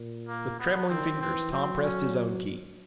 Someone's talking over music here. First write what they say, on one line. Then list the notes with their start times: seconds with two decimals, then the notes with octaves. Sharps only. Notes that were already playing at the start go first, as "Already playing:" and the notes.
With trembling fingers Tom pressed his own key.
Already playing: A#2
0.28 A#3
0.59 B3
0.90 D#3 C4
1.21 E3 C4
1.52 F#3 C4
1.84 C#4